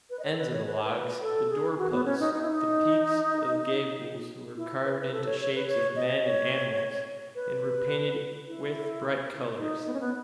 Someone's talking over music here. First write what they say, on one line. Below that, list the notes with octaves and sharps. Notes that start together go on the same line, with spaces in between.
The ends of the logs, the door-posts, the peaks of gables, were carved into shapes of men and animals and were painted with bright colors.
B4
D#5
C#5
A4
B4
C#5
B4
C#5
B4
A4
G#4
F#4
B3
C#4
D#4
D#4
E4
D#4
E4
B4
B4
A4
C#5
C#5
B4
C#5
D#5
C#5
B4
E4
D#4
B3
C#4
B3